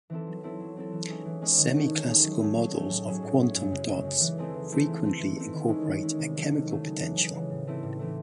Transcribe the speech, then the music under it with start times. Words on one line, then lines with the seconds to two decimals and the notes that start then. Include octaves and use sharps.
Semiclassical models of quantum dots frequently incorporate a chemical potential.
0.10 E3 C4 E4 A4
0.27 F#3
0.43 C4 E4 A4
0.60 F#3
0.77 C4 E4 A4
0.92 E3
1.08 G#3 C#4 E4 G#4
1.26 E3
1.42 G#3 C#4 E4 G#4
1.58 D#3
1.75 A3 C#4 G#4
1.91 D#3
2.08 A3 C#4 G#4
2.24 F#3
2.40 A3 C#4 G#4
2.57 F#3
2.73 A3 C#4 G#4
2.90 A2
3.07 F#3 C#4 G#4
3.23 A2
3.39 F#3 C#4 G#4
3.55 F#2
3.71 C#3 G#3
3.89 F#2
4.04 C#3 G#3
4.21 E3
4.38 A3 C4 E4 G#4
4.54 E3
4.70 A3 C4 E4 G#4
4.87 E3
5.03 A3 C4 E4
5.19 E3
5.36 A3 C4 E4
5.53 D#3
5.68 G#3 C#4 E4
5.85 D#3
6.02 G#3 C#4 E4
6.19 C3
6.35 D#3 F#3 A3
6.51 C3
6.68 D#3 F#3 A3
6.84 C#3
7.00 E3 G#3
7.17 C#3
7.34 E3 G#3
7.50 A2
7.67 E3 A3 C4 E4
7.83 A2
7.99 E3 A3 C4 E4